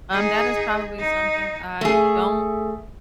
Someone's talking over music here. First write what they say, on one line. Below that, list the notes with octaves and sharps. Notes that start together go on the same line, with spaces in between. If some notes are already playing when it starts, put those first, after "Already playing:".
Um, that is probably something I don't
D#4 G#4
D#4
A3 G#4